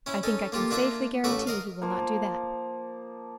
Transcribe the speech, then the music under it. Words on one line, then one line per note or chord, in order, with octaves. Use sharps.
"I think I can safely guarantee he will not do that."
C#4 E4
C#4 D#4 A4
A#3 F4 G4 A4
A#3 D4 F4 E5
A1 A3 F#4 B4 E5 D6
A#4 D#5 F5
F3 A#3